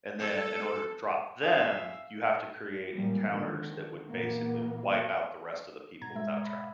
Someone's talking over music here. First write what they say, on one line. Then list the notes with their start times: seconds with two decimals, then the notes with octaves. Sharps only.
and then in order to drop them, you have to create encounters that would basically wipe out the rest of the people without trying.
0.19 A4
1.43 G#4 E5 F5
2.93 A2 F3 G3 G#3 A#3
3.28 D3 D#3 F3
4.08 A#2 E3 A#3 B3
6.01 G#2 B2 A#5 G#6
6.15 G#3 E5
6.45 B5